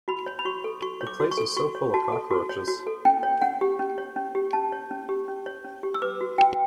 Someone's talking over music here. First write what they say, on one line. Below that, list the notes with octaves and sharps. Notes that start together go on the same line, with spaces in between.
The place is so full of cockroaches.
F#4 B5
C#5
B5
F#4 C#6
A4
F#4 C#6
C#5
D6
F#4
C#6
A4
F#4 C#6
C#5
F#4 A5
A4
F#4
C#5
F#4
A4
C#4 G5
C#5
C#4 F#5
G4
C#4
C#5
C#4
G4
C#4 A5
C#5
C#4
G4
C#4
C#5
C#4
G4
E6
B4 D6
F#4
F#4 G5